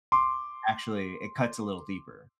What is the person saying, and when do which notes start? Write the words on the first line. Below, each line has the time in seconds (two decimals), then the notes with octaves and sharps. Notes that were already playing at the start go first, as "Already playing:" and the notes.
actually it cuts a little deeper.
0.12 C6 D6